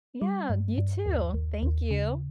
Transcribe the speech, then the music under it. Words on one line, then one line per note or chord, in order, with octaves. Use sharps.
Yeah, you too, thank you,
G3
G2
G2
D#2
D#2
D#2
C#3